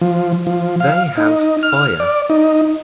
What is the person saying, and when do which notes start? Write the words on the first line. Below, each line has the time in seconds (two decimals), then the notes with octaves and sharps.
They have fire.
0.01 F3
0.47 F3
0.80 F5
1.18 D#4
1.63 F6
2.00 D5
2.30 D#4